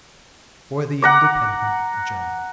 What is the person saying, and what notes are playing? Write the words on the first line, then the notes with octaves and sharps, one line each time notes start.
For the Independent Journal.
F#5 A#5 D6